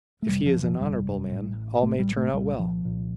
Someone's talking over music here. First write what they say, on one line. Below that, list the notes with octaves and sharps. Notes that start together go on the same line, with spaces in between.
If he is an honourable man, all may turn out well.
A3
G1 F2 C3 G3
F3
F3
G1 F2 C3 G3
A1 A2
A1 A2 A3
G3
A3
C2 A#2 G3
F3
C2 A#2